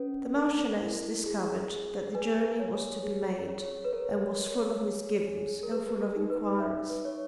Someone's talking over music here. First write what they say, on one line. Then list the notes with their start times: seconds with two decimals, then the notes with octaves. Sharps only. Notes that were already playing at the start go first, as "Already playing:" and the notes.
The Marchioness discovered that the journey was to be made, and was full of misgivings and full of enquiries.
Already playing: C#4 B4
0.36 A#4
0.82 E4
1.26 G#4
1.71 G#4
2.15 B4 G#5
2.60 C#5
3.03 G#4
3.48 C#5
3.85 B4
3.93 A#4 C#5
4.37 C#5
4.81 G#4
5.27 G#4
5.63 A#4
5.71 G#4 B4
6.01 A#4
6.16 D#4
6.30 B4
6.60 B4 E5
7.05 C#5